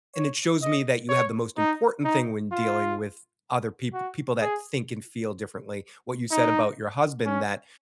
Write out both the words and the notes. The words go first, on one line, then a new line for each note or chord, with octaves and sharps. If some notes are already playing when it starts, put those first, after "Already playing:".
and it shows me that you have the most important thing when dealing with other peop people that think and feel differently. What you said about your husband that
C#5
D#5
C#5
D#4
D#4
F4
F#4
G#4
D#4
C#4